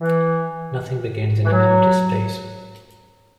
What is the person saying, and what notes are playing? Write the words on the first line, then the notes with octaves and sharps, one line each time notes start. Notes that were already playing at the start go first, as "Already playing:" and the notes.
Nothing begins in an empty space.
E3
E3
F#3